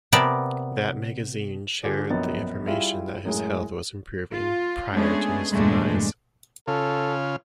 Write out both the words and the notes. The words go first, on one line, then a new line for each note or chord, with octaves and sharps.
That magazine shared the information that his health was improving prior to his demise.
C3 B3 A#4 D5 A5 B5
D3 F4 G4 G#4 D5
A#1 F#2 B3 D#5 A6
G3 E4 F4 G#4 E5 F5
F#2 A2 G#3
F4
G#3 A3 B3 C#4 D4 G#4
E2 G2 A#2 G#3 A3 D4
C#3 F4 A4